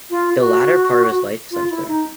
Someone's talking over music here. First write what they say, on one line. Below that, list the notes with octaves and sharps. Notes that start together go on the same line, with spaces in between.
The latter part of his life is unclear.
F4
G4
F#4
F4
E4
D#4